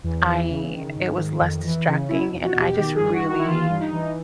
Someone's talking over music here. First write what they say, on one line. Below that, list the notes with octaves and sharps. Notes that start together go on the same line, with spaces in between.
I it was less distracting, and I just really
E2
E3
C#3
D#3
G#2
D#3
F2
E3
C#3
B2 E4
E2
F#4
B2
G4
D#3 G4
G#4
G2
F#4
D#3
F#4
E4
E3 F4
G2
D#4
E3